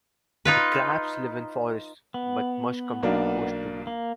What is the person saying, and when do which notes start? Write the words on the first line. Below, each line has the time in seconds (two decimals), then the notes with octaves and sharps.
The crabs live in forests but must come to the coast to breed.
0.45 D#4 F4 B4
2.14 B3
3.03 B1 A#3 D4
3.87 A#3